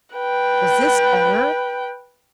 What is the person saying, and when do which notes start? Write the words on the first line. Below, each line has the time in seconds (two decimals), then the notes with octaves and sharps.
Was this honor?
0.15 B4 G5